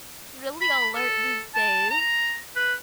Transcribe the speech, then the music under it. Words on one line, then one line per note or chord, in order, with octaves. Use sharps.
really alert these days,
B5
A4
A5
A#5
B4